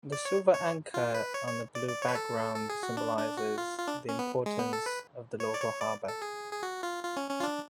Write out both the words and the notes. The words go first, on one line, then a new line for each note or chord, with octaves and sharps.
The silver anchor on a blue background symbolizes the importance of the local harbor.
D5
C#5
C#5
F4
B4
C#5
C#5
D5
D5
C#5
B4
A4
A4
G#4
F#4
D4
D4
F#4
F4
F4
D4
C#4
B3
G#3
B3
A4
B4
C#5
D5
C#5
D5
A4
G#4
G#4
F#4
F4
F4
C#4
C#4
F4
D4